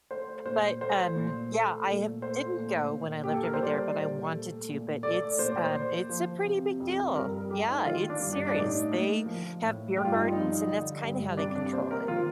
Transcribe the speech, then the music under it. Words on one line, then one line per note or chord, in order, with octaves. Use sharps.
But, um, yeah, I have didn't go when I lived over there, but I wanted to, but it's, um, it's a pretty big deal. Yeah, it's serious. They have beer gardens, and that's kinda how they control it.
A3 C5
A#2 C5
A3 C5
A#2
A3
A#2
A3 C5
A#2
A#2
A#3 G4
A4
A#4
C5
G3 D5
A#2
A3
A#2
A3 D5
A#2 C5
D5
C5
A#3
F3
C3
F2
G2 A#4
A3 G4
D#4
D#3 F4
D4
G2
D4
D4
A2 D#4
A#3
F3
A2
G2 G4
F4
D#4
F4
F3 D#4
D3
G2
C3 D4
D4
A#3 C5
A#4
D#3 F4